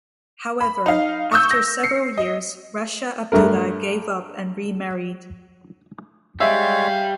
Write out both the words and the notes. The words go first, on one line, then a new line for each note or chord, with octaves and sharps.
However, after several years Raja Abdullah gave up and remarried.
B5
D#4 F5
C#6 D#6 E6 G6
A#6
C7 C#7
D#5
G2 A3 A#4
G3 G#3 C#5 E5 F5